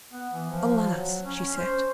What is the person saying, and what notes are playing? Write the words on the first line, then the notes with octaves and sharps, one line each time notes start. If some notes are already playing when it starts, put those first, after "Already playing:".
"Alas!" she said.
B3
E3
F3
F#3
C#4
C5